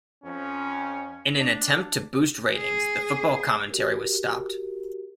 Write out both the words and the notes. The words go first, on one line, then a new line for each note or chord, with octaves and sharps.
In an attempt to boost ratings, the football commentary was stopped.
F2 C#4
D4
G#4
F#4 G4 A#4